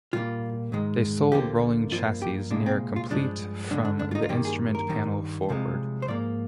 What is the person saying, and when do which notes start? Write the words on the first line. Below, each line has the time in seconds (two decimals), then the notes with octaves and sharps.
They sold rolling chassis, near-complete from the instrument panel forward.
0.13 A#2 G3 A#3 F4
0.72 G#2 D#3 G#3
1.32 D2 D3 F3 A#3 G4
1.91 G2 F3 A#3 F4
2.22 G4
2.50 C2 A#2 G#3 D4
2.66 C4
2.96 F4
3.10 G2 F3 G#3 D4
3.70 G2 D3 G#3 D4
3.85 D4
3.99 D4
4.11 F4
4.15 D#4
4.22 F4
4.29 G2 D#3 G3 A#3 G4
4.45 G#4
4.75 A#4
4.89 G2 D#3 G3
5.49 C2 C3 F3 G#3
6.02 C5
6.08 G#2 F3 A#3 D5